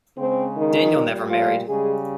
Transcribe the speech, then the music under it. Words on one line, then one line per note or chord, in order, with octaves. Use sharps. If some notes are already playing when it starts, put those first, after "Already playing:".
Daniell never married.
C#3 G#3 C4
D#3 D#4
A#2 G3
F3 F4
C#3 G3 G#3 G#4